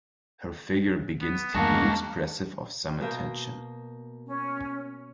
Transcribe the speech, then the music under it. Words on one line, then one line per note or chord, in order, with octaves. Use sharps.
Her figure begins to be expressive of some attention.
B3
E2 G2 G#3 A#3 D4 F#4 A5
B2 A#3 G5
C#4